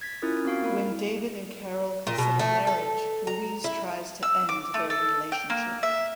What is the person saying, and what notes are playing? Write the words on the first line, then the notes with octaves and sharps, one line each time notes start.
When David and Carol consider marriage, Louise tries to end their relationship.
G#6 A6 B6
C#4 E4 F4 A#4 D#6
C4 E4 F#4 F5 D7
A#3 A#4 B5
A#2
B2
A3
A4
A#5
E4
E6
D6
A3
A4
G5
A#3
E5